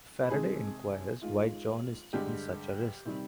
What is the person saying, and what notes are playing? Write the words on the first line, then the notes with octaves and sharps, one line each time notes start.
Faraday inquires why John is taking such a risk.
B4
F2 C3 D#3 G#3 G#4
G#2 D#3 G#3 F4
G2 D3 G#3 G4
C3 D#3 G3